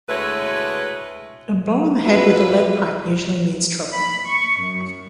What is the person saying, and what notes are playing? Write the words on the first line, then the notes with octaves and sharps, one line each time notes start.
A blow on the head with a lead pipe usually means trouble.
D2 G#3 A3 E4 B4 C#5
F4 F#4 B4 E5
B5
C#6
F#2